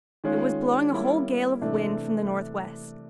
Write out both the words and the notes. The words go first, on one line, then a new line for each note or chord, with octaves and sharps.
It was blowing a whole gale of wind from the north-west.
D#3 G#3 C#4 F4
G3 A#3 C#4 E4
C3 E3 A3 D4